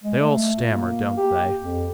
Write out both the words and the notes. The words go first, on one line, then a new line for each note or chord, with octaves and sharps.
"They all stammer, don't they?"
G#3
A3
A#2
A#3
G4
F2